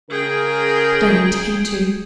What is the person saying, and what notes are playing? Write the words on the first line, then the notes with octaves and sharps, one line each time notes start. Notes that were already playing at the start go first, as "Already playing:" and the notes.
'Don't intend to.
C#3 G#4 A#4 G5